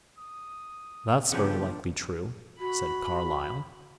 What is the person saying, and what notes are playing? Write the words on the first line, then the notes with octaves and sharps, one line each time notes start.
"That's very likely true," said Carlyle.
D#6
A#2 C#3 F3 B3 D4 G4 C5
F#4 B5